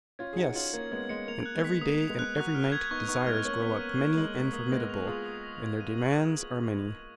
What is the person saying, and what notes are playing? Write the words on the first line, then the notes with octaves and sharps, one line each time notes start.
Yes; and every day and every night desires grow up many and formidable, and their demands are many.
C#4 F4 G#6
G#4
D#4 F#4 C#7
C#4 F4 F#7
A#3 C#4 G#6
G#3 B3 G#6
G#3 C#7
A#3 F7
F#6
G#3 B3
B6
A#3 D#6
F7
G#3 B3
F#6
F#4 A#4 C#6
F6
G#6
B3 D#4 C#6
B3 D#4 C#6
G#3 B3 F6
A#3 C#4 F#7
B3 B6
A#3 C#4
D#7
A#3 G#6
G#3 F#7
A#3 B6
A#3 D#6
G#3 B3 A#6
F7
F4 G#4 D#6
D#6
A#6
G#6
D#7
F#7